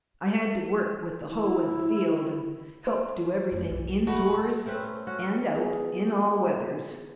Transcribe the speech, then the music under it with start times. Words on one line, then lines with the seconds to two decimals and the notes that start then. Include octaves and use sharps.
I had to work with the hoe in the field and help do everything in doors and out in all weathers.
1.30 E4
2.87 C5
3.51 F#2 A3
3.70 B1 F4
4.07 D1 A3 F#4 G#4 B5
4.66 A3 C4 C#4 B4
5.07 C#4 F#4
5.55 B3 E4 G#4